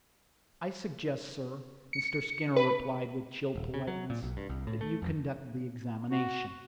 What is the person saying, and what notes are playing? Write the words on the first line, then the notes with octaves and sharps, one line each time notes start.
"I suggest, sir," Mr. Skinner replied with chill politeness, "that you conduct the examination."
C#7
B4
D#1
C#3
F#3
A#2
B1
G2
C2
A2
A3
F2
F#4